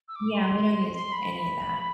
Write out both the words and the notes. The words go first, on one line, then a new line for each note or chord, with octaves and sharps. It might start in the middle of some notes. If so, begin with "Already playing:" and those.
Yeah, we don't use any of that.
E6
D6
C6
C6
B5
B5